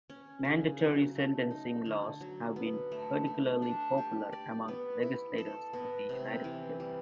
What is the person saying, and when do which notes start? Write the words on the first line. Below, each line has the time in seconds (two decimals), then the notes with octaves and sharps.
Mandatory sentencing laws have been particularly popular among legislators in the United States.
0.10 C#4
0.45 C#3
0.80 F#3
1.15 A3
1.51 D#4
1.86 D3
2.21 F#3
2.56 B3
2.92 A3
3.27 A3
3.62 D4
3.98 G4
4.33 D5
4.68 B3
5.03 E4
5.38 A4
5.73 B3
6.09 C3
6.44 E3
6.80 G3